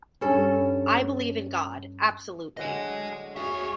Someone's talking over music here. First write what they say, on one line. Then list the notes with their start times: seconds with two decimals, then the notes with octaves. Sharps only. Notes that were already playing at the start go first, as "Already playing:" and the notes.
I believe in God, absolutely.
0.21 G2 C#4 A4
2.57 A2 D3 F#3 D#5 G#5
3.36 F#4 G#4 C#5 E5